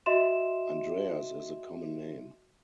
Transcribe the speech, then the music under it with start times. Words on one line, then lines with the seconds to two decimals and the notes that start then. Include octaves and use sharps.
Andreas is a common name.
0.06 F#4 D#5 E5 C6 E7